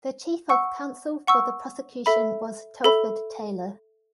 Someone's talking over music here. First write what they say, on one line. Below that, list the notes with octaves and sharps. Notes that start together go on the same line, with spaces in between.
The Chief of Counsel for the Prosecution was Telford Taylor.
F#5 C#6 E6
F#5 C#6 E6
A4 E5 B5
A4 E5 B5